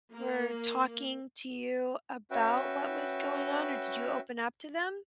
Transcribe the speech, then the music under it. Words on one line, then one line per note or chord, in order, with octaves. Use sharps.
were talking to you about what was going on, or did you open up to them?
A#3
C#4 F#4 B4 E5 G5